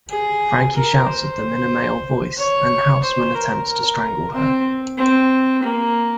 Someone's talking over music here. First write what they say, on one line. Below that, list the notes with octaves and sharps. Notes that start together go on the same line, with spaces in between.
Frankie shouts at them in a male voice, and Houseman attempts to strangle her.
G#4
A#4
C5
C#5
C5
A#4
A#4
C4
C4
A#3